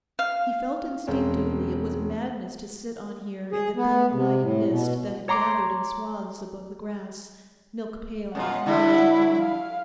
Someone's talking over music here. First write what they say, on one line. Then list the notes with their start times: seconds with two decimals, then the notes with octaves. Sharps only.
He felt instinctively it was madness to sit on here in the thin gliding mist that had gathered in swathes above the grass, milk-pale in the rising moon.
0.19 F5
1.07 E1 C4 C#4
3.52 G#4
3.76 B3
4.13 C3
4.42 A2
4.69 B2
5.28 C#5 A#5 C6 D6
8.35 F#2 B2 F4 F#5
8.66 D3 F#3 E4
9.39 F5